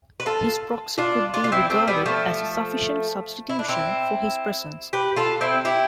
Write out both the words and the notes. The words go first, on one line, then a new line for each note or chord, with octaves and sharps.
His proxy could be regarded as a sufficient substitution for his presence.
B4
F4 A4
D4 F4
D4 F4
F4
C4 E4
A3 C4
G3 B3
F3 A3
E4
D4
C4 E4
G4 B4
F4 A4
C4 E4
E4 G4